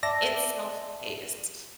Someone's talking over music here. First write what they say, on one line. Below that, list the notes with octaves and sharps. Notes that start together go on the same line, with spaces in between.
It's self-paced.
D5 E5 A5 A#6